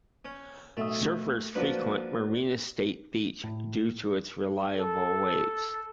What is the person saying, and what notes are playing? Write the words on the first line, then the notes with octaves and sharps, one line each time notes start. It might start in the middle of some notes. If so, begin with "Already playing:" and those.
Surfers frequent Marina State Beach due to its reliable waves.
C#4
B1 A3 E5 D#6
F3 A#3 D4 F#4 B4
A2
A4